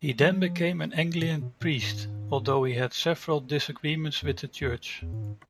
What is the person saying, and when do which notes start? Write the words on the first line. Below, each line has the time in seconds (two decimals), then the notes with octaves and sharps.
He then became an Anglican priest, although he had several disagreements with the church.
0.21 F3
0.33 F#3
0.46 F3
1.21 B2
1.41 B2
1.61 A#2
1.81 G#2
4.22 F2
4.61 E2
5.02 E2
5.13 A2
5.22 G#2